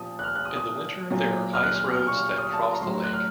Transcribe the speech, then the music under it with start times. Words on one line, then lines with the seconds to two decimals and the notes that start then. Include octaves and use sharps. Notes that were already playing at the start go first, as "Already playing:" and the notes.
In the winter, there are ice roads that cross the lake.
Already playing: A#2 F3 A5 D#6
0.19 F#6
0.23 F6
0.35 F#6
0.45 D#6
0.57 D#6
1.11 A#2 F#3
1.54 F6
1.63 F#6
1.75 F6
1.85 F6
1.96 F6
2.07 C#6
2.17 F6
2.29 F6
2.38 D#6
2.53 A5
2.72 A#5
2.81 A2 C6
2.86 F#3
2.93 A#5
3.04 F#6
3.13 F6